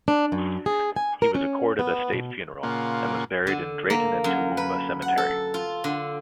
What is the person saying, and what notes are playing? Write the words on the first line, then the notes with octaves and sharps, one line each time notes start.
He was accorded a State funeral, and was buried in Drayton and Toowoomba Cemetery.
D4
F#2
G#4
G#5
A#4
C#4
B3
B2
A#2 C#3 A#3 F4 F#5
D3
A#3
F#2
B4
F#5
A4
F4
D3